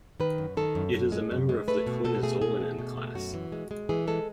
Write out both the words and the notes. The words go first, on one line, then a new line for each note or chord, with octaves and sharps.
It is a member of the quinazolinone class.
D#3 B4
F#2
D#3 A4
F#2
F#2
G#3
F#2
G#3
A3 B4
B2
B2 A4
A3 G#4
B2 G#4
A3
B2
A3
F#2 F#4
E3
G#3
G#3
E3 G#4
G#3 A4